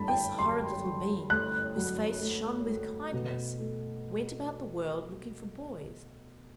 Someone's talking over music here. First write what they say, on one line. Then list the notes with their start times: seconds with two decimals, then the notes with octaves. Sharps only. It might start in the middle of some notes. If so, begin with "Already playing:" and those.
This horrid little being, whose face shone with kindness, went about the world looking for boys.
Already playing: G2 A3 A5 B5
0.08 G5
0.39 F#3 C6
0.84 F#3
1.30 A3 F#6
1.76 F#3
2.21 A3
2.67 A3
3.13 B2
3.58 A3